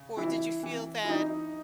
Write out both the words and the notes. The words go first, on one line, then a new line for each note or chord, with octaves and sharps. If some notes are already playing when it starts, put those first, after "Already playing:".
Or did you feel that
Already playing: C#3
E3 E4
E3
E4
E3 D#4